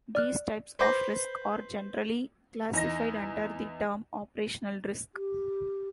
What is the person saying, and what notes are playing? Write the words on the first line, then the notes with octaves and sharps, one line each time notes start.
These types of risk are generally classified under the term 'operational risk'.
D5 F6 F#6
B4 C5 C6 D6 A#6
E2 D#4 A#6
G4